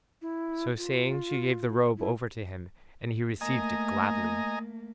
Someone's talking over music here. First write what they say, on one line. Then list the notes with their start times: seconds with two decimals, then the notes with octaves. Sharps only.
So saying she gave the robe over to him and he received it gladly.
0.22 E4
0.78 F4
1.97 E4
3.41 A3 A#3 D#5 G#5 A#5